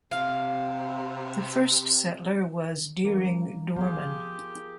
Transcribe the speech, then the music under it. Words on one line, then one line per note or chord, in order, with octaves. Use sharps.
The first settler was Dearing Dorman.
C3 F5
E3 G3 A#3 C#4
F3 B3 F4 G4 G#4